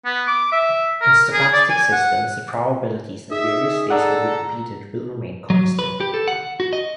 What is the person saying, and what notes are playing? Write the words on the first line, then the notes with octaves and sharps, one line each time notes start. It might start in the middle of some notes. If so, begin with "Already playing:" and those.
In stochastic systems, the probabilities that various states will be repeated will remain constant.
B3
D6
E5
A#4
G#4
D5
G#5
F#5
D#4 G#4 E5 D#6
A4 D5 F#5 A#5
F#3
B4
G4
A4
F#5
F#4
D#5